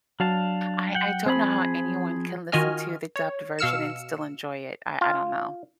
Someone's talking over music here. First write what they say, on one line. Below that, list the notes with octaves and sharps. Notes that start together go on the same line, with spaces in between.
I I don't know how anyone can listen to the dubbed version and still enjoy it. I I don't know.
F#3 D4 F5 A5
F#5 G5
F3 C4 G#4 B5
D#3 F4 F#4 D#5 G#5 F6
C#5
B2 F5 E6 F6 C#7 E7
F4